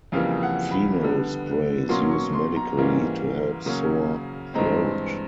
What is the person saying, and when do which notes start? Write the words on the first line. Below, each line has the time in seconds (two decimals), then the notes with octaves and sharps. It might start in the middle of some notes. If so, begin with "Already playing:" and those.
Phenol spray is used medically to help sore throat.
0.12 F2 C#3 E3 G3 A#3 F5
0.43 F#5
0.71 B5
1.01 D3 G3 B3
1.89 B2 F#3 A#3 C#4 C6
2.11 C#6
2.33 C6
2.56 A#5
2.77 G#2 E3 G3 A#3 C#4
3.66 C#3 F#3 A#3 C#4
4.54 G2 E3 G#3 C4 A#5